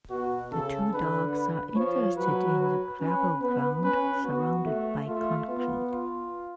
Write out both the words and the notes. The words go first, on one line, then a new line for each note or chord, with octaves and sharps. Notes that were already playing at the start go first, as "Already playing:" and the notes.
The two dogs are interested in the gravel ground surrounded by concrete.
B2 F#4
C#3 A4
D3 B4
B4
F3 C#5
F#3 B4
B4
C#4 B4
B3 B4
C#4 B4
B3 F#4
A3
A3 F4
B3 F4
F4